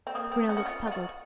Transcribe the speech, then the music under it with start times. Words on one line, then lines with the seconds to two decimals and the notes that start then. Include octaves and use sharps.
Bruno looked puzzled.
0.07 C4
0.15 A#3 D#6
0.31 C4
0.49 C#4
0.57 F#4
0.66 F4
0.87 F4
0.92 F#4